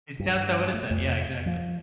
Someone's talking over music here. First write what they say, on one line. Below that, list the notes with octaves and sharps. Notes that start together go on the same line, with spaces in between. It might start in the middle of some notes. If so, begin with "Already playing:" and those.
It sounds so innocent. Yeah, exactly.
G2
A3
F2
F3